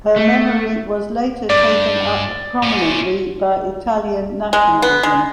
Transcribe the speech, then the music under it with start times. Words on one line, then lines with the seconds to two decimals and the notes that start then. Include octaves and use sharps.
Her memory was later taken up prominently by Italian nationalism.
0.16 A3
1.50 G2 D5
2.63 A#2 C#4
4.53 G#3
4.82 B3
5.03 G#3